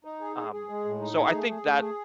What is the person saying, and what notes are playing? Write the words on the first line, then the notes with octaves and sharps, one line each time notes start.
Um, so, I think that
D#4
G#4
G#4
G#4
G#3
A2
D#4
G#4
A3
G#4
A3
G#4